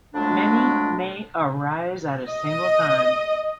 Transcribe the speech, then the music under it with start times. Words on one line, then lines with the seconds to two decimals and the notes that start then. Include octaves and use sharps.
Many may arise at a single time.
0.14 F2 F#3 G#3 A3 D4
2.29 D#5